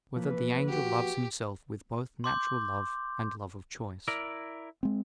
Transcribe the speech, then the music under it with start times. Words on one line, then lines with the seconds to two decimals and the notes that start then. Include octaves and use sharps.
Whether the Angel Loves Himself with Both Natural Love, and Love of Choice?
0.16 E3 F3 A#3 B4
0.69 F#4 G4
2.24 C6 D6 G6
4.08 E4 A#4 D5
4.83 G#3 C4